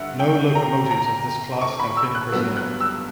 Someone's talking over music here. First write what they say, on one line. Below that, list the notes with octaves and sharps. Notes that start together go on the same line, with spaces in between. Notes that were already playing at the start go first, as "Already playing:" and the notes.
No locomotives of this class have been preserved.
Already playing: G2 D3 E5 F#5
G5
A#5
A#5
C#6
B5
E6
F#6
G2 F#3 B3 E6
F#6
E6